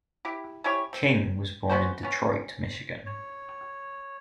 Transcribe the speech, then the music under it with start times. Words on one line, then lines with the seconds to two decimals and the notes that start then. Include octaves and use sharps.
King was born in Detroit, Michigan.
0.25 E4 G4
0.64 C#4 E4 G4 C#5
0.93 C4
1.70 B3 C#4 F#4 C5
2.03 B3 C#4
3.06 C#5